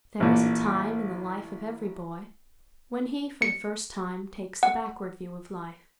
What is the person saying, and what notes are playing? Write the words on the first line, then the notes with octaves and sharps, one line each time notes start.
There is a time in the life of every boy when he for the first time takes the backward view of life.
A1 A#2
C#7
F#5